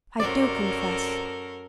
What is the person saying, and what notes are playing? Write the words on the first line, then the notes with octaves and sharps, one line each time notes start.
I do confess.
F#2 C3 A4 A#4 D5